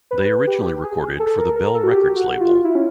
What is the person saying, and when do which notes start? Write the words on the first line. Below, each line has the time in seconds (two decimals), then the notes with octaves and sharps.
They originally recorded for the Bell Records label.
0.11 B4
0.47 G4
0.83 G#4
1.20 A4
1.38 A#4
1.56 A#4
1.74 A4
1.84 F#4
1.92 G4
2.16 F#4
2.40 F4
2.64 E4
2.75 C#4